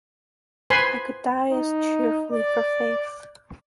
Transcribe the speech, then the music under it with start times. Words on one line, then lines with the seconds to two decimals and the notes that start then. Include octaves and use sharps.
I could die as cheerfully for faith.
0.70 B4 C5 G#5 B5 C6
1.51 D#4
2.30 D5